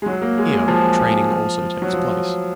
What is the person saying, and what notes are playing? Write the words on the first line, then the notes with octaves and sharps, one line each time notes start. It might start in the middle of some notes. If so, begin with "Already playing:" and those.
Here training also takes place.
G#3
F#3
A#3
G#3
G#3
F3
F#3
F3